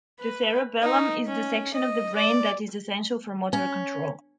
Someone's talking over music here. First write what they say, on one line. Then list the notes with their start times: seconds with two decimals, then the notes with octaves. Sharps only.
The cerebellum is the section of the brain that is essential for motor control.
0.20 B4
0.82 D#4
1.27 C#4
1.74 D#5
2.16 D5
3.53 C#4